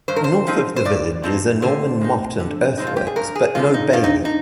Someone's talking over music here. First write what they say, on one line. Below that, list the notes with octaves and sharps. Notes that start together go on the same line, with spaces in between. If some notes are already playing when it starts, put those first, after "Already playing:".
North of the village is a Norman motte and earthworks but no bailey.
G2 C5
A#4
C5
F3 C4 D#4
C5
G2 D5
F3 C4 D#4
D3 C5
F3 G#3 C4 D#4
D3
F3 G#3 C4 D#4
F4
G4
G#4
G2 A#4
G#4
D3 F3 G#3 F4
D#4
G2 F4
D#4
D#4